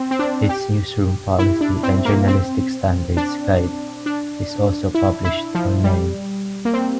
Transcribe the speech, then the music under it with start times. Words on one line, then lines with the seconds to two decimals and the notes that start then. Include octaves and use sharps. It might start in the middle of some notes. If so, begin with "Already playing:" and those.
Its newsroom policy and journalistic standards guide is also published online.
Already playing: C4
0.11 C4
0.19 D4
0.49 G4
1.39 E4
1.61 D4
1.83 C4
2.05 A#3
2.27 C4
3.17 D4
4.06 D4
4.95 E4
5.25 E4
5.55 F3
5.84 G3
6.65 A#3
6.73 C4